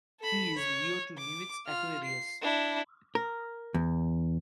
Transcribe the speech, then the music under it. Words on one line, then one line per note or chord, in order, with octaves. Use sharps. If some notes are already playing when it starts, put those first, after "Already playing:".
He is Leo to Nuit's Aquarius.
A4 B5
C#5
D6
F4 F6
C7
D4 E4
A#4
E2